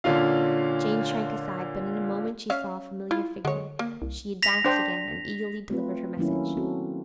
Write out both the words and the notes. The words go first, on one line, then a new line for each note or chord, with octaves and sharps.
Jane shrank aside; but in a moment she saw a familiar figure; she advanced again, and eagerly delivered her message.
A#2 D3 C#4 F4 F5
C#4 E5 F5
E4 F4
D3 G#3 C#5
A#3
C2
A#6 B6 F7
D4 C5 G5
A3 C4 F4 B4
D#3 F#3 A#3 C#4 E4
C4 F#4 A4